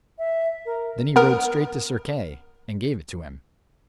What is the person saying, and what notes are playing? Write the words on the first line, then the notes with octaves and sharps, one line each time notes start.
Then he rode straight to Sir Kay, and gave it to him.
E5
A#4
B3 A#4